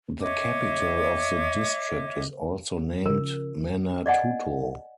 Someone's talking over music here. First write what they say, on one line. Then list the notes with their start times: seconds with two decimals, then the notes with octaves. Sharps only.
The capital of the district is also named Manatuto.
0.21 C#5 D#5 E5 D6
3.06 C#3 F3 A#4
4.06 D5 D#5 F#5 G#5